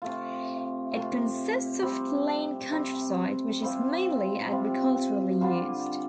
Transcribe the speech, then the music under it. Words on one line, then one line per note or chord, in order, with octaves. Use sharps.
It consists of plain countryside, which is mainly agriculturally used.
C3 A3 F4
C3 A3 F4
C3 G3 C4
C3 G3 C4
C3 G3 C4 F4
C3 G3 C4 F4
D3 G3 D4 F4